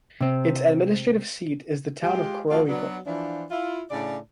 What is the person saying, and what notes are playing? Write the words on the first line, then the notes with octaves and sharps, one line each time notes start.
Its administrative seat is the town of Coroico.
C3 C4
G#3 F4 G4
F3 A3 C4 F4 F#4 D5
F#3 B3 D4
E3 F3 D4
E4 F4
A2 C#3 D4 D5